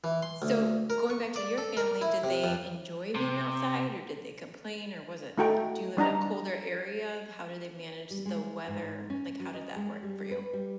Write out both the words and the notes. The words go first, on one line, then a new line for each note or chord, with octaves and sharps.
So, going back to your family, did they enjoy being outside, or did they complain, or was it Do you live in a colder area? How do they manage the weather? Like, how did that work for you? r
E3
C6
D2
A#4
C#6
D5
A4
A#4
E4
C3
F2
C3
A3 D#4 F#4 A4 G5
G3 D4 D#4 A#5
G3
G#3
G#2
C#4
F#3
D#5
G#3
G3
B4
G3